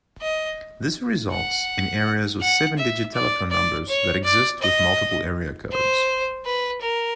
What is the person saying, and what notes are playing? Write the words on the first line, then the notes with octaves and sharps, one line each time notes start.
This results in areas with seven-digit telephone numbers that exist with multiple area codes.
D#5
F#5
F#5
E5
D5
D5
C#5
D5
D#5
C5
B4
A#4